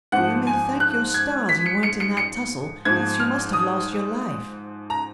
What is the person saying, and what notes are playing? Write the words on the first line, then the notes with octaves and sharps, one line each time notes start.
'You may thank your stars you weren't in that tussle, else you must have lost your life.'
G#2 F3 F#5
G#5
F#6
G#6
B6
C#7
C#7
C#7
C#7
G#2 F3 G#6
F6
D#6
A#5